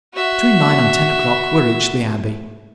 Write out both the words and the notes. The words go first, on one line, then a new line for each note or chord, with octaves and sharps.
Between nine and ten o'clock we reached the Abbey.
F#4 E5